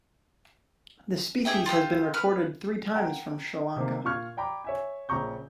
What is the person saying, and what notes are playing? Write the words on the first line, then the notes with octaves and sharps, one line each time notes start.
The species has been recorded three times from Sri Lanka.
G4 G#4 E5 G5
F4 G4 D#6 E6
B4 F6
F#5 G5 A#5
C3 D#3 A#3
A#2 F4 C#6 F6 G#6
D5 G5 A#5 B5 D6
C#5 E5 G#5
A#1 C#3 A#5 C#6 G6